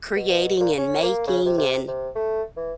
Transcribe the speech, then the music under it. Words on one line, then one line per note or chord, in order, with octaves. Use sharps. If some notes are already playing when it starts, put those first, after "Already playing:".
creating and making and
B2
B2
A#2
C#4
A#3
C#3
C3
C3
C3
A3
E3